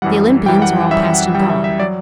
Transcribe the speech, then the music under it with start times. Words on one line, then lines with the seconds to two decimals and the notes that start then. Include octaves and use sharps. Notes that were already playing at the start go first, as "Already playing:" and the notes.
The Olympians are all past and gone.
0.02 F#2 E3 G3 F#5
0.46 F#2 E3 G3 G5
0.62 F#5
0.91 F#2 E3 G3 E5
1.14 F#5
1.35 F#2 E3 G3 G5
1.50 E5
1.64 E5
1.79 F#3 D5